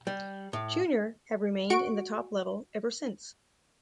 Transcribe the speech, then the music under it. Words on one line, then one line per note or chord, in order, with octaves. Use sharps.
Junior have remained in the top level ever since.
G3
A2
F#4 C#6 D7